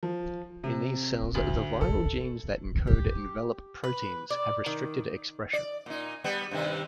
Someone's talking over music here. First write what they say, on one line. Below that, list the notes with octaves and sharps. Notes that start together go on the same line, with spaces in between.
In these cells the viral genes that encode envelope proteins have restricted expression.
F3
C3
D2
A4
G4
B4
D5
D#3
D5
A#2 D#4
G3 B3
G2 C3 D#3